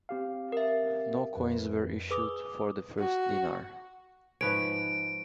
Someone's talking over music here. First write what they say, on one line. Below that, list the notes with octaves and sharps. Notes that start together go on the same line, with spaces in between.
No coins were issued for the first denar.
C4 G4 F5
A#4 E5
F2 B4
G#4 B4 D6 D#6
F#4
G#2 F3 B4 C#5 D7